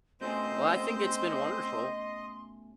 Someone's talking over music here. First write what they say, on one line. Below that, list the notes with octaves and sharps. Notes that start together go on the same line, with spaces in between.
Well, I think it's been wonderful,
B2 A3 C4 C#4 C5 D#5 C6 G6